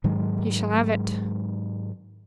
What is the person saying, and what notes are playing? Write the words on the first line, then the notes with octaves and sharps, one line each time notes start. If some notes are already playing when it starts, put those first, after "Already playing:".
You shall have it.
G#2 D#3 F#3 G#3